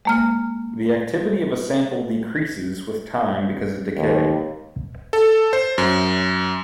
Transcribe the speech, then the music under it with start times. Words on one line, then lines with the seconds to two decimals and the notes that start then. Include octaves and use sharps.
The activity of a sample decreases with time because of decay.
0.05 G#3 A#3 F6
3.97 D#2
5.13 A4
5.53 C5
5.78 F#2